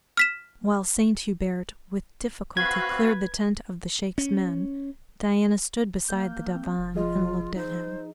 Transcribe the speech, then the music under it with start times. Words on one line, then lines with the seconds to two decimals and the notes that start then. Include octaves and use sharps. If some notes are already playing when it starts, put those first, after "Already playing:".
While Saint Hubert, with difficulty, cleared the tent of the Sheik's men Diana stood beside the divan and looked at him.
0.17 F6 B6 E7
2.57 C4 F#4 B4 F5 B5 G#6
4.18 C#4
6.08 A#3 G6
6.55 C4
6.79 F1
6.95 F3 F4 G#4 D#5
7.56 D#4 C5